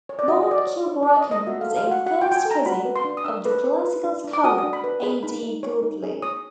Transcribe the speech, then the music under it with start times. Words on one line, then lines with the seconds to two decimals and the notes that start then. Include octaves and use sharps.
Lord Kilbracken was a first cousin of the classical scholar A. D. Godley.
0.09 C#5
0.19 D5
0.28 F#4 D#5
0.43 D#5
0.47 F#4 D5
0.58 D#5
0.67 C#5
0.87 C#5
1.03 D5
1.07 C#5
1.17 D#5
1.27 C#5 D#5
1.47 F#4 E5
1.61 F5
1.67 A4
1.76 F5
1.87 F#4 F#5
2.06 F#4 F#5
2.22 G5
2.26 F#4
2.32 G5
2.36 G#5
2.45 A4
2.51 A#5
2.66 F#4 B5
2.85 B4
2.96 C6
3.05 D4
3.17 D#6
3.25 D4 E6
3.45 B4
3.64 B4
3.85 B4
4.04 D4
4.24 D4
4.33 D6
4.44 F#4 D#6
4.58 D#6
4.63 D4
4.73 B5
4.84 B4
5.03 G#4 B5
5.23 D#4 B5
5.42 D#4
5.63 C#5
5.83 D#4
6.03 G#4
6.22 C#5 D#6